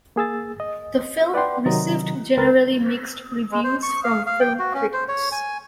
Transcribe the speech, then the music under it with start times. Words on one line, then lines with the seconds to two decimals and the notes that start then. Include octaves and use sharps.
The film received generally mixed reviews from film critics.
0.16 A#3 G#4 E6 A6
0.60 D#5
1.34 B4 D5 F#5 G5 C6
1.66 C3 D#3 F#3 D#5 A#5
2.37 C#2 C4 A#4 B4 A6
3.51 G#3
3.64 C5
3.83 C#6
4.04 F5
4.27 F5
4.40 G5
4.59 F#4
4.74 C#4
4.93 C5
5.08 C#5
5.32 G#5